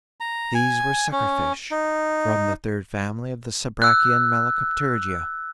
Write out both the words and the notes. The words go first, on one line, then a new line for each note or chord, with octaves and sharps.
These were suckerfish from the third family of the subbrachian Malacopterygia.
A#5
G#5
C#4
D#4
E6 F#6